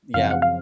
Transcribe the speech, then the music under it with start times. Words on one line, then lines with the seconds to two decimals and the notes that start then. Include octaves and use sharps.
Yeah, wh
0.14 F#2 C#3 F3 C4 F5
0.31 F#5
0.42 F5